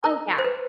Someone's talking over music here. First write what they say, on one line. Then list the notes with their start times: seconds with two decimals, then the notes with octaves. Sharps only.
oh, yeah,
0.04 A#4
0.38 C5
0.44 B4